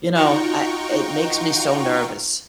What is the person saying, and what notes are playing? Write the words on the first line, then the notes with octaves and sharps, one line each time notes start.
you know, I it makes me so nervous.
D#4 F4 F#4 G5 A#5 C#6